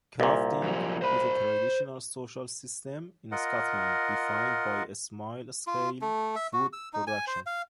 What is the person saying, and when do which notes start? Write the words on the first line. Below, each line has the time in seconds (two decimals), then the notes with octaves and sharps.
Crofting is a traditional social system in Scotland defined by small-scale food production.
0.20 C2 A#2
0.63 F#2 F3
1.02 C5 B5
3.32 F4 A#4 D#5 F#5
5.67 F4
6.02 A3
6.36 E5
6.53 F#4
6.73 E6
6.93 D#4
7.07 G#5
7.27 C5
7.46 F5